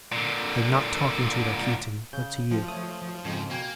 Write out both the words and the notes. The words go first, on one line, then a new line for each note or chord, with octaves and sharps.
I am not talking to Rakitin, but to you.
A#2 D3
C#3 G6
F3 C4 F4
A3 C#5 D#6
F2 G#2 C#3
B2 A#3 G5 G#5